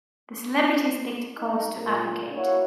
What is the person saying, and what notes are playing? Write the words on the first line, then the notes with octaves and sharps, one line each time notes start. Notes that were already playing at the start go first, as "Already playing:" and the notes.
The celebrities picked a cause to advocate.
D#4
A#2 A#3
A#3 E4 F#4 C#5 E5 F#5